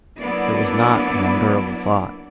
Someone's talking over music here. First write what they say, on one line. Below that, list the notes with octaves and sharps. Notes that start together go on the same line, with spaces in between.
It was not an endurable thought.
F#3 A#3 B3 D4 E4 D5